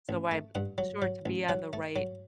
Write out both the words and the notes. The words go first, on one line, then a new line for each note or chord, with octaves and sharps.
So, I'm sure to be on the right
A1
A3
G2 F#5
F#3
F#3
A1
F#3 F#5
A3
F#3